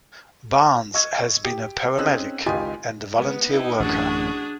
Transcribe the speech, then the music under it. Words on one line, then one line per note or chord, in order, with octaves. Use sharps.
Barnes has been a paramedic, and a volunteer worker.
D#5 C#6 E6 G#6
G4
C4 C#4 D#4 G#4 E6 F#6
G#1 C#2 D#4 F4 G4 G#5
G#3 B3
D#4 E4
A1 F#2 D4 F#4 G#4